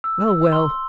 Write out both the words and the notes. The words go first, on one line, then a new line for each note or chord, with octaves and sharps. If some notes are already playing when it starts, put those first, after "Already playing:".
'Well! well!
E6
E6
C6